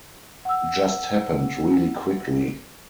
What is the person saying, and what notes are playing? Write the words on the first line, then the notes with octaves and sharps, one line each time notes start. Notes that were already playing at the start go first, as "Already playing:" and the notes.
It just happened really quickly.
F#5 E6